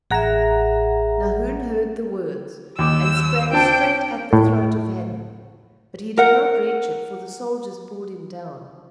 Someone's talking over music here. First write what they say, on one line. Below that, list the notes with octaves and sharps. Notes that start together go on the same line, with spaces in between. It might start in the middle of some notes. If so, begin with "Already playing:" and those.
Nahoon heard the words, and sprang straight at the throat of Hadden; but he did not reach it, for the soldiers pulled him down.
A1 G#4 E5 F#5 A#5
D#2 D6 E6
C4 D4 G5 A5
A2
A#4 F#5